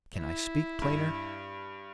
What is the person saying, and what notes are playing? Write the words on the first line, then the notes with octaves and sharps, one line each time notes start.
Can I speak plainer?
E4
G2